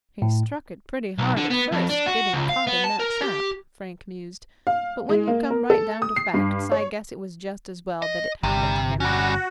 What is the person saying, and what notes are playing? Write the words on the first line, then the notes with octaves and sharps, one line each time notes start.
"He struck it pretty hard at first, getting caught in that trap," Frank mused; "but when you come right down to facts I guess it was just as well that it happened to him."
A2
B1
D3
B3
F2
D4
F#4
C#2
F5
B3
A5
A#4
G4
F5
G#3
A#3
A#4
A4
D#6
C7
G2
C#5
D#5
G1 C3 G3
G3 C#4 F#4